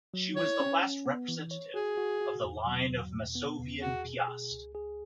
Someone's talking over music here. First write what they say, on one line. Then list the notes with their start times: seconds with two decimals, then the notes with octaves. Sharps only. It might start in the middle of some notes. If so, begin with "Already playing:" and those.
She was the last representative of the line of Masovian-Piast.
0.14 F#3
0.36 E4 C#5
0.60 C#4
0.83 C#4
1.06 B3
1.28 E3
1.51 C#5
1.74 F#4 G#4
1.98 F#4
2.21 F#4
2.44 E2
2.67 F#3
2.90 E2
3.12 B2
3.35 B3
3.59 E2
3.82 F#4 G#4
4.05 B2
4.28 G#4
4.51 C#2
4.75 G#4